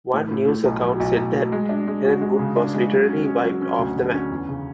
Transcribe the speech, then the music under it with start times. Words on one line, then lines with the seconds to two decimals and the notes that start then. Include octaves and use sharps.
One news account said that Helenwood was literally wiped off the map.
0.14 A2
0.31 A2
0.48 A2
0.66 B1
0.82 F#3
1.00 B1
1.17 B1
1.35 F#3
1.52 G#3
1.69 D4
1.88 G#3
2.05 F#4
2.21 G#3
2.39 C#3
2.56 D4
2.74 G#3
2.92 F#3
3.08 C#4
3.27 C#4
3.44 F#3
3.61 C#4
3.79 D2
3.96 D3
4.14 C#4
4.31 E2
4.49 C#3